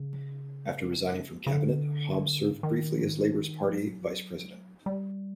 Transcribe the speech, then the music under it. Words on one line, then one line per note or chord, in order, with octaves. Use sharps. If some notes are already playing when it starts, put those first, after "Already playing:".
After resigning from Cabinet, Hobbs served briefly as Labour's party Vice-President.
Already playing: C#3
C#3
D3
D#3
F3
F#3
G3